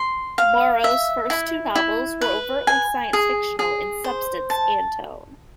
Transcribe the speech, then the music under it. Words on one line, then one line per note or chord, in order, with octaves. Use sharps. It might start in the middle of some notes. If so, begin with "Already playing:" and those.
Morrow's first two novels were overtly science-fictional in substance and tone.
Already playing: C6
F5
E5
E4
E4
B4
G#5
G#4
G#4
C5
A5